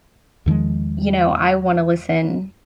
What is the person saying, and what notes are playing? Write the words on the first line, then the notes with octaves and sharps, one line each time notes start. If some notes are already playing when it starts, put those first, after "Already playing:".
You know, I wanna listen,
E2 D#3 F3 G#3